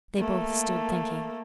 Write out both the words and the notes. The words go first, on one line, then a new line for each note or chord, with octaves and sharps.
They both stood thinking.
A3 A#3